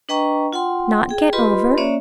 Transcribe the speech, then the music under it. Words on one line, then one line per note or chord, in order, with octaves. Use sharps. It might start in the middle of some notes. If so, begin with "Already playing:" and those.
Not get over?
D4 B4 D#5 G5 A#5 C#6
F4 F#5 G5 C6
G#4 G5
F4 G4 B4 D#5 B5 C6
A#3 C#4 C#5 D5 E5